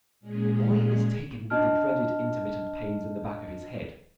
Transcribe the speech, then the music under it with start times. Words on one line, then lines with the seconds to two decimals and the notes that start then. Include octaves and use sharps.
The boy is taken with the dreaded intermittent pains in the back of his head.
0.20 A#2 G#3 C#4 G#4
1.50 D4 D#5 A5 F6